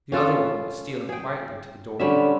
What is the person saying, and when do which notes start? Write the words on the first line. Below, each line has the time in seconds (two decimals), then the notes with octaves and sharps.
The other one was stealing quietly to the door.
0.12 C#4 F4 A4
1.09 G#4 G5
1.99 D3 G3 C#4 E5